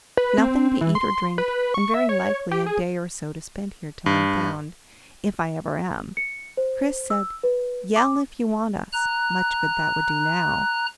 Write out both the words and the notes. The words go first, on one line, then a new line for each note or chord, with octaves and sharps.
Nothing to eat or drink, and very likely a day or so to spend here till I'm found, if I ever am. Chris said, 'Yell, if you want us.' Much good that would do now!
B4
C4
E3
C6
B4
C#6
E5
C#5
G4
G#4
G2
C#7
C5
E6
B4
D6
A#5 F#6